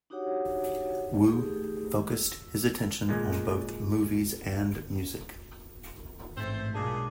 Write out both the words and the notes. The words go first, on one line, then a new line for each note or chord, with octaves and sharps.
Wu focused his attention on both movies and music.
D4 D#4 F#4 G4 C#5 F#5
A3 D#4 G4 G#4
E6
A#2 G#3
A1 G#2 A3 C4 C5
B1 A#2 G#3 D4 G#4